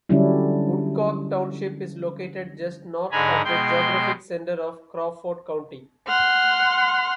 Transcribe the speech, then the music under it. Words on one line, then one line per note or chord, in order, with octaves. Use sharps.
Woodcock Township is located just north of the geographic center of Crawford County.
D3 F#3 G3 C#4 D4 E4
G#2 D3 G#3 G#5 A#5 B5
B2 G#3 G5 C6 G6
F#5 C6 F6